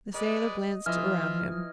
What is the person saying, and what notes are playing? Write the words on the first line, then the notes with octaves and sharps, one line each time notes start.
The sailor glanced around him.
G#3 B4 D5 D#5
E3 F3 F4 D#5 E5 F6